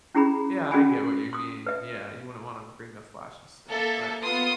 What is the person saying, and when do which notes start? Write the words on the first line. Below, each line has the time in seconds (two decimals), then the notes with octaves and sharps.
yeah, I get what you mean, yeah, you wouldn't wanna bring the flashy stuff, but
0.15 C#4 E4 G4 G#4 A#5 B5
0.71 C#4 F#4 G#4 F#5 G#5 B5
1.33 C6 D#6
1.67 B4 E5
3.68 A#3 A4 E5
4.22 B3 F4 C6 D#6